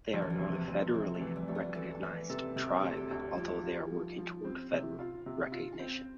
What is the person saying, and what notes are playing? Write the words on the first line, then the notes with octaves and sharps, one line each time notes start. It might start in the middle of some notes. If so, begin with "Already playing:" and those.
They are not a federally recognized tribe, although they are working toward federal recognition.
D2 F3
E3
F3
C3
F3
D2
C3 C4
A3
E3
G3
D2 A3
B3
E3 A4
E3 B4
C3 A4
C3 G4
D2 A4
G4
D2
F3 G4
F4
F3
F3
C4
C3
F4
C3
F4
C4